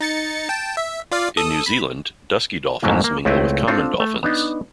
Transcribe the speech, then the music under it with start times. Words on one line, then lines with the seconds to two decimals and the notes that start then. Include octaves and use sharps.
In New Zealand, dusky dolphins mingle with common dolphins.
0.01 D#4 A6 C#7
0.49 G5 A5
0.77 E5
1.12 F4 D5 F5
1.37 A4 D#6
1.66 B5
2.82 F2 G#2 F#3 A3 A#3 E4
3.04 A#3
3.25 C#2 A3 C4 E4 B4 E5
3.67 C4 D4 F4 A4 C5
4.00 A3
4.23 B3 D4 D#4